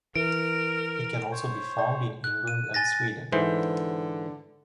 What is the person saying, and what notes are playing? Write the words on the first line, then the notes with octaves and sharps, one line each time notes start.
It can also be found in England and Sweden.
E3 A#4 D7
C5 C#5
D5 G5
F#6
D#7
G#5 A6 A#6
G#2 D3 E3 C5